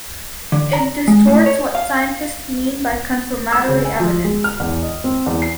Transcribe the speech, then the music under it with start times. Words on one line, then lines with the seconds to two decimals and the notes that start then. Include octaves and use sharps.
It distorts what scientists mean by confirmatory evidence.
0.52 D3
0.73 A#5
1.08 G#3
1.27 A2
1.46 C#5
1.75 F5
3.52 E6
3.68 C#3
3.85 G#5
4.00 F3
4.24 G#3
4.44 F6
4.60 E2
4.83 D#5
5.04 C4
5.26 E2
5.42 C7